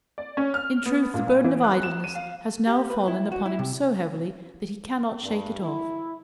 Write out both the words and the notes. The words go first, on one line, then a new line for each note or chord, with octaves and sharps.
In truth the burden of idleness has now fallen upon him so heavily that he cannot shake it off.
D5
C#4
F6
B3
A#2
B1
E3
F#6
E7
D#7
F5
G4
B4
E4
F#4
E4
C3
G2
E4